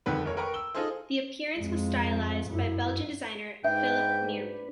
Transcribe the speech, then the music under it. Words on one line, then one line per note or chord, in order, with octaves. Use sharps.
The appearance was stylised by Belgian designer Philippe Neerman.
E1 F2 D3 D#3 B4
F1 A#4 C#5
A#4 B4 G5 A#5 C#6
E6 G7
D#4 F4 G#4 A4 C5
F2 G#3
F#2 E4
G#2 D4 B4 E5 G5